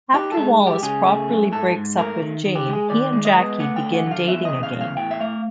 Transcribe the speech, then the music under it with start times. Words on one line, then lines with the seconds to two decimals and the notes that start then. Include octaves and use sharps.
After Wallace properly breaks up with Jane, he and Jackie begin dating again.
0.14 D#4 G4
0.32 A4
0.37 G#3
0.60 G#3
0.67 G4
0.83 C#3 G#4
1.07 A3
1.29 F#2
1.52 G#2 A4
1.76 G#2
1.98 A3 A#4
2.22 D#3
2.45 D#3
2.55 G4
2.68 G#3 G#4
2.90 D#3 D5
3.13 G#3
3.25 D#5
3.36 B3
3.60 A3 F#5
3.76 G5
3.82 D3
3.94 F#5
4.05 F#3
4.11 F5
4.28 E2 E5
4.45 D#5
4.52 C#3
4.63 F5
4.74 E2
4.81 F5
4.97 A2 G5
5.11 E5
5.20 A3 F5